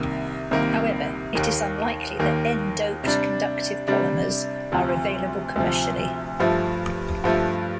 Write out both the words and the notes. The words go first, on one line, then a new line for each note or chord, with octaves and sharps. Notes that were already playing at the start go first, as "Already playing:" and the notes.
However, it is unlikely that n-doped conductive polymers are available commercially.
Already playing: C2 C3 D#3 A#3
C2 C3 D#3 A#3
D#2 D#3 A#3
D#2 D#3 A#3
C3 G3 D4
C3 G3 D4
D2 C3 F3
D2 C3 F3
G2 F3 A3
G2 F3 A3